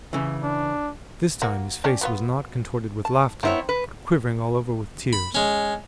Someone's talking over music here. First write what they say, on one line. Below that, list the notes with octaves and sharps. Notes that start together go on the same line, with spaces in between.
This time his face was not contorted with laughter, but quivering all over with tears.
C#3 E3
D4
A#3 F#4
C#4 D4 G4
F#3 B3 F4
A5
D#3 B3 C4 D#4 E4 C#5
B4
B5
G#3 C#4